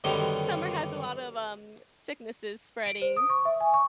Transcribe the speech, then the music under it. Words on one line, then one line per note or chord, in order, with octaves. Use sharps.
summer has a lot of um, sicknesses spreading."
F#2 D3 D#3 G3 B3
D7
C5
D#6
C#6
E5
G#5
C#6